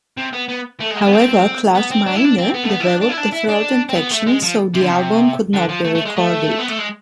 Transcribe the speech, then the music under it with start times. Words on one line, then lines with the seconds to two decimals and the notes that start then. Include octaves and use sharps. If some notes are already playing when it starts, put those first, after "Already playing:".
However, Klaus Meine developed a throat infection, so the album could not be recorded.
0.17 C3
0.33 B3
0.49 B3
0.81 A3
0.91 G#3
1.02 D4
1.08 B3
1.12 C4
1.75 B3
1.91 C4
2.06 D4
2.16 E4
2.25 D4
2.38 C4
2.54 B3
2.63 A3
2.69 B3
2.80 E4
2.86 D4
3.01 D4
3.09 E4
3.17 D4
3.32 E4
3.48 D4
3.89 C4
3.96 B3
4.11 A3
4.27 G#3
4.43 F3
4.74 C3
4.82 D3
4.90 C3
5.53 D3
5.69 F3
5.85 A3
5.95 A3
6.06 G#3
6.17 A3
6.60 B3
6.69 A3
6.79 G#3